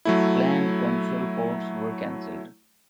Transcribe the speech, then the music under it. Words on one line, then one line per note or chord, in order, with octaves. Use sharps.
Planned console ports were cancelled.
F#3 A3 E4